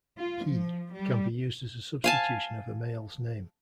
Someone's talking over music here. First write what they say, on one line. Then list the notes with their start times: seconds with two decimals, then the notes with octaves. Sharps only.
"He" can be used as a substitution of a male's name.
0.17 F4
0.46 F3
0.92 G3
2.04 F5 G#5 A5